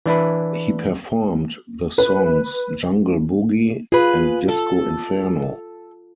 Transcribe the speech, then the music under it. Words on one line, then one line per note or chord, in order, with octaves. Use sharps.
He performed the songs "Jungle Boogie" and "Disco Inferno".
E3 D4 E4 B4
B4
F4 G#4 B4
A4